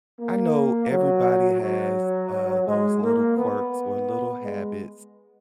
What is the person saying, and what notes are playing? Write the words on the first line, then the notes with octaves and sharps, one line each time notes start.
I know everybody has, uh, those little quirks or little habits
A#3
F#3
F#3
G#3
A#3
B3
G#3